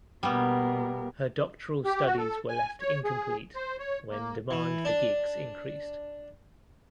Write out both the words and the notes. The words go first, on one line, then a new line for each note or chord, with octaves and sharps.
Her doctoral studies were left incomplete when demand for gigs increased.
B2 G3 A#3 B3 A#4
G4
F#4
A4
G#5
C#5
G#4
C5
C#5
A#3
E3
D4